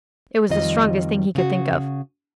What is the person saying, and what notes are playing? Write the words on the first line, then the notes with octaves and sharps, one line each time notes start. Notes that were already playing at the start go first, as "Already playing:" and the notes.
It was the strongest thing he could think of.
F2 D#3 G3 F4 D#5
C#3 F#4